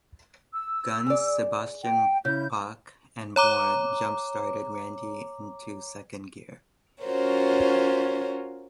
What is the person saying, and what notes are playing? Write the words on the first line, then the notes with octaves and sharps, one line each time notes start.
Guns, Sebastian Bach, and more, jump started Randy into second gear.
E6
G#4 D5
G5
C#3 E4 G6
C#5 A#5 D6
C#4 F4 F#4 A#4 C5 C#5